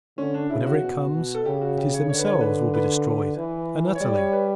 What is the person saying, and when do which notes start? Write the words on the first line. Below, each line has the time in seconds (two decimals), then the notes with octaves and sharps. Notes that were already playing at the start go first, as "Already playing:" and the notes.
Whenever it comes, it is themselves will be destroyed, and utterly.
0.18 D3 C#4
0.34 D4
0.50 C#3 E4
0.62 E4
0.66 F#4
0.82 B2
1.13 B2
1.35 A4
1.45 C#3 G4
1.61 F#4
1.77 G4
1.94 C#5
2.09 D3 C#5
2.18 B4
2.27 C#5
2.41 B4
2.74 B4
3.37 E3
3.95 C#5
4.01 G3 D5
4.17 C#5
4.33 B4